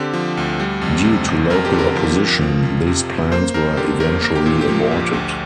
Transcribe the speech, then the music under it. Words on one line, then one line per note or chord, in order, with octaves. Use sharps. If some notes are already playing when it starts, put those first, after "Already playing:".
Due to local opposition, these plans were eventually aborted.
Already playing: D3 C4 G4
F3
D2
G3
F2
C3
G1
F2 A#4
G4
D3
A#4
F3
F2
F3
F2
C3
G1
A#3 C5
F2 A#4
D3 G4
G1 A#4
A#3 A#4
G4
A#2
G4
F3
A#1
D2